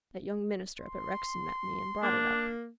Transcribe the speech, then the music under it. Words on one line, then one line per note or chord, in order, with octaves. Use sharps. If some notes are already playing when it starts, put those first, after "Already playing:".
That young minister up at Rexton met me and brought it up.
C6
A#3 D4